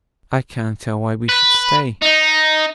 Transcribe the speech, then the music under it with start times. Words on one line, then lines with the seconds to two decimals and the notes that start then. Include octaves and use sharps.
'I can't tell why we should stay.
1.29 B4
2.02 D#4